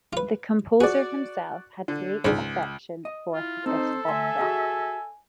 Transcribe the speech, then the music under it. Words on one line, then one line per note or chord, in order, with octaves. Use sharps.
The composer himself had great affection for this opera.
F4 B4
F#4 G#4 D5
D3
C#2 G#2 D3
D#5
E4 F4
C4 D#4 A4 C5
D2 E5 G#5 C6
F#4 G#4 D#5